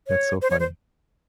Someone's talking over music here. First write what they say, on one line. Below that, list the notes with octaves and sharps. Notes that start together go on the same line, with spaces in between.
That's so funny.
C#5
C5
C#5
C5